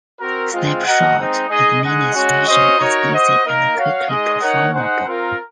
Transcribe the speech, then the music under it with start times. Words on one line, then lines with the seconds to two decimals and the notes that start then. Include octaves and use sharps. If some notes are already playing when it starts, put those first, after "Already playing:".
Snapshot administration is easy and quickly performable.
0.20 C4 F#4 A#4
0.52 G#3 C4 F4
0.84 F#4 A#4 D#5 F#5
1.17 G#3 C4 D#4
1.49 G#3 D#4 G#4 D#5
1.81 G#3 D#4 G#4 D#5 F#5
2.14 G#3 C#4 F#4
2.47 C#4 F#4 C5 D#5
2.79 D#4 F#4 A#4 C#5
3.12 F#4 C5 D#5
3.44 A#3 D#4 A#4
3.77 F#4 C#5 F5
4.09 G#3 D#4 G#4 D#5
4.41 D#4 A#4 C#5 F#5
4.73 D#4 G#4 C5 F#5
5.06 C4 F4 A#4